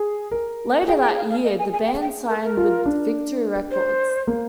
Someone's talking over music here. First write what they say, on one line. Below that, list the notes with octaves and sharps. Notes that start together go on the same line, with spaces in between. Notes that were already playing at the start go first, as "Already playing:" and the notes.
Later that year, the band signed with Victory Records.
Already playing: G#4
A#4
G#4 G5
G5
F5
F5
D#5
G#5
G#5
G5
G5
A#4
A#4
F4
D4
C5
A#3